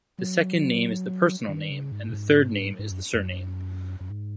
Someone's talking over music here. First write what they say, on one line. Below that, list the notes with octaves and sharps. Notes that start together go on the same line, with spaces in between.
The second name is the personal name and the third name is the surname.
F#3
D#3
C#3
G#2
B2
G#2
G#2
F#2
F#2
F#2
G#2